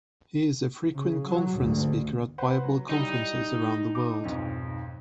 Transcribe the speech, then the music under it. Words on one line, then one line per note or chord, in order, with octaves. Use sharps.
He is a frequent conference speaker at Bible conferences around the world.
C#3
F#3
D2 G#2
B4 C5 F#5
F#3
G3 D#4 E4
D6
B1 F2 G#2